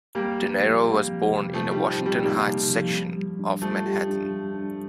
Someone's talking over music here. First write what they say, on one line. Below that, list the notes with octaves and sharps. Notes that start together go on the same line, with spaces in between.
Dinero was born in the Washington Heights section of Manhattan.
G3 A#3 C4
F3
F3
C4
F3
C3
F3 A3 C4
G3
D#4
F3
C4
G3
G3 A#3 D#4
C3
F3
G3
G3
D4
F3 G3 A3
G4
D4
G3
D4